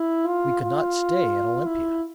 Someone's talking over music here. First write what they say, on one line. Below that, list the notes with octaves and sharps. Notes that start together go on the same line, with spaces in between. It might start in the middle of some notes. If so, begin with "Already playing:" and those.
We could not stay at Olympia.
Already playing: E4
F4
F4
E4